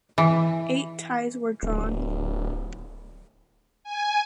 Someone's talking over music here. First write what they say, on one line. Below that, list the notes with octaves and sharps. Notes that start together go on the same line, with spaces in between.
Eight ties were drawn.
E3
D1
G#5